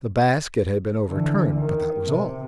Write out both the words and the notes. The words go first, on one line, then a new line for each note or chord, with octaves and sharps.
The basket had been overturned, but that was all.
D3 E3
D#3
C3